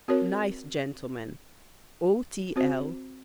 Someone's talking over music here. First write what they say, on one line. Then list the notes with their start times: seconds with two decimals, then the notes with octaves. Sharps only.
Nice gentleman. O.t.l.
0.08 C4 F#4 A#4 C#5
2.56 C4 F#4 C5